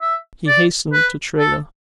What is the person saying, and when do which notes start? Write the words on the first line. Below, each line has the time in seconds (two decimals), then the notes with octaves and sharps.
He hastened to Tredah.
0.01 E5
0.47 D5
0.93 B4
1.39 A4